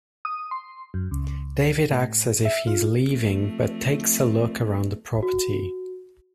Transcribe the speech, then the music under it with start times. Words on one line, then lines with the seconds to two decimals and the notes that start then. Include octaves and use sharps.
David acts as if he is leaving but takes a look around the property.
0.25 D#6
0.51 C6
0.94 F#2
1.11 C#2
1.91 A2
2.45 E5
2.67 F4
3.11 F3 A3 C4
5.23 F#4